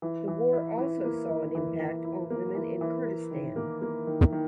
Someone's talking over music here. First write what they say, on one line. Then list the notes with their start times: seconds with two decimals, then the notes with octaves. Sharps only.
The war also saw an impact on women in Kurdistan.
0.02 E3
0.28 E3
0.53 E4
0.78 E3
1.04 A#3
1.29 E3
1.55 E3
1.80 E3
2.05 E4
2.30 A#3
2.55 E3
2.81 E3
3.06 A#4
3.31 D#3
3.56 A#3
3.82 A#3
4.07 D#3
4.33 D#3